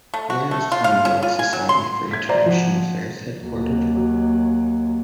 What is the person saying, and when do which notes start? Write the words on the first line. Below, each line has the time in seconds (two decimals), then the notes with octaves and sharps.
Where is the New York Society for International Affairs headquartered?
0.14 A3
0.30 F#4
0.51 A3
0.72 F4
0.84 F5
1.05 C#4
1.23 F4
1.39 G#5
1.53 F#3
1.69 C6
2.11 G#6 B6
2.29 C5 D5 A#5
2.46 F3 F#4
3.39 D#2 F#3